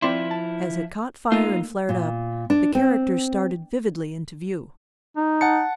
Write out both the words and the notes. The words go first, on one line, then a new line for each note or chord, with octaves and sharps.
As it caught fire and flared up, the characters started vividly into view.
F3 C4 E4 D5 C6
A5
A3 A#3 D#4 F4 E6
A#2
D4
C4
D#4
F#5 A5 C#7